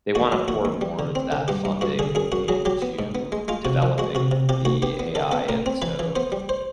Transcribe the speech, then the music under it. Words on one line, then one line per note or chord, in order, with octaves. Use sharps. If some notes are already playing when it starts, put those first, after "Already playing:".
they wanna pour more of that funding into developing the AI and so
D#2 F#4
F#3
D#2 F#4
D#2
G3
D3
C4
D3
G2 G4
G2
G2 F#4
D3 G#4
F#2 G#4
F#2 F#4
F#3 G#4
F#3 G4
B3
G#2
B3
G#3
G#3 F4
C3 F#4
F3
G#3 F#4
C3 F#4
C3
C3 G4
D2 F#4
B3 G4
B3
D#3 A4
B3 A4
A2 A#4
C4
E3 B4
E3
B3 C5
G3
C5